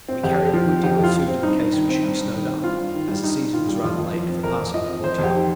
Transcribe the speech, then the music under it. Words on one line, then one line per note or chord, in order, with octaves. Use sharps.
We carried a good deal of food in case we should be snowed up, as the season was rather late for passing the Portillo.
C4
F2 G4
F2
F3
C4
F2 G4
F2
F4
F3
C4
G2 D#4
G2
D#3
C4
G2
G2
D#3
C4
G2 F4
G2
D#3
G3
G2 D#4
G2
D#3 F4
G3
F2 F4
F2
F3
C4
F2 A#4
F2
F3 D#5
C4
F2 C5
F2
G4
D#3